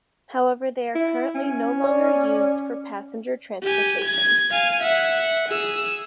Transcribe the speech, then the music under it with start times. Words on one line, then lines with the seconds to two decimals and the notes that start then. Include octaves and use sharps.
However, they are currently no longer used for passenger transportation.
0.95 E4
1.35 C#4
1.84 C#5 D5
3.63 G4 G#5
4.04 G#6
4.51 F5 G#5
4.82 E5 F#5
5.48 G#4 E6